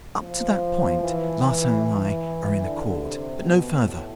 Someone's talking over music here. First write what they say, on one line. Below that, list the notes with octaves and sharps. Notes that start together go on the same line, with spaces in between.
Up to that point, Larsan and I are in accord; but no further.
F3
E3
E3
E3
D3
C3
B2
A2